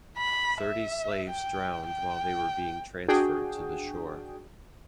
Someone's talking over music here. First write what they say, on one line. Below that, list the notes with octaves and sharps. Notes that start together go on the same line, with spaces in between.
Thirty slaves drowned while they were being transferred to the shore.
B5
E5
G5
G5
D4 F#4 G#4 G5